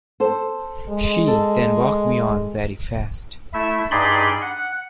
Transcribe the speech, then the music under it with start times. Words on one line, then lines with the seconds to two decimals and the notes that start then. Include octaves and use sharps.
She then walked me on very fast.
0.20 A4 C5
0.89 G#3
1.27 A4
3.54 A3 E4 E5
3.91 G2 D#4 G#4 D5 B5 C6
4.42 F#5